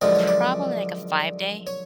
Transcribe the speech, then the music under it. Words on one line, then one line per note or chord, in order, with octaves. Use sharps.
Probably, like, a five-day.
F#2 D3 F3 G#3 D5
C#5
D5
C#5